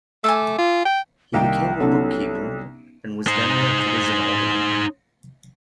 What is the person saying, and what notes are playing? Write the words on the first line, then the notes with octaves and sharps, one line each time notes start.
He became a bookkeeper, and was then elected as an alderman.
A3 G#5 D6 E6
F4
G5
C2 D#3 A#3 G5
F#3 B3 C#4 D#4 A4
D#4 C5